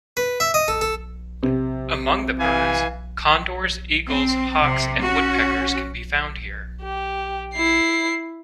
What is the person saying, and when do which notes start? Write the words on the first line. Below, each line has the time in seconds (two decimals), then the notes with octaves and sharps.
Among the birds, condors, eagles, hawks and woodpeckers can be found here.
0.17 B4
0.40 E5
0.54 D#5
0.68 A4
0.81 A4
1.43 C3
2.39 E3 F5 G#5
4.08 C4
4.62 C3
5.01 C#4 F#4
6.83 G4
7.55 E4 C7